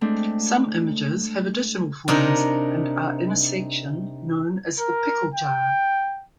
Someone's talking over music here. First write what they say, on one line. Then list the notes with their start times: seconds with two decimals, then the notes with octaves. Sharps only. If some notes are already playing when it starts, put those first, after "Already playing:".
Some images have additional forms and are in a section known as the "Picklejar".
0.01 G#3 A3 C4 D4
2.08 C3 D4 D#4 A#4
4.80 A#4
5.34 G5